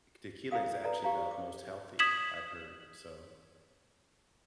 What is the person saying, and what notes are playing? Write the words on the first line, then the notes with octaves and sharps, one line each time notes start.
tequila is actually the most healthy, I've heard. So,
E4 G#4 A4 F5 D#6
A4 B4 D5 A#5
G4 F5 A#5
D6
D#6 G#6 B6 E7 F#7